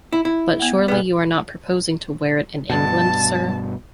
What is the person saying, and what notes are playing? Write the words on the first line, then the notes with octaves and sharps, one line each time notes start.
But surely you are not proposing to wear it in England, sir?
E4
E4
B3 F#5
B1 A#3 B3 G#4 D5
G2 B2 A5